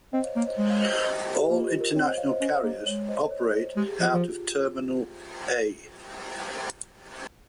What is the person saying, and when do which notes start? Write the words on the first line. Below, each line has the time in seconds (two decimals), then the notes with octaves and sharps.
All international carriers operate out of Terminal A.
0.13 C4 C5 D#5
0.24 C#5 F5
0.36 A#3 C#5
0.47 C5 D#5
0.58 G#3 C5 D#5
0.70 C#5 F5
0.81 C5 D#5
0.93 C5 D#5
1.04 C5 D#5
1.35 G4
1.50 A#3 F4
1.64 G4
1.80 A#4
1.95 C4 C#5
2.06 C5 D#5
2.18 C#5 F5
2.29 C5 D#5
2.40 C#4 C5 D#5
2.63 A#3
2.86 G#3 C#5
3.09 C5 D#5
3.31 C#5
3.54 C5
3.76 G#3 G4
3.88 G#4
4.00 F3 F4
4.11 F3 F4